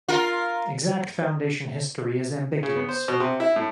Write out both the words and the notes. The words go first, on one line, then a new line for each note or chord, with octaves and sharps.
Exact foundation history is ambiguous.
F4 A#4
C#3
B3
C5
B2
C3
E4
A2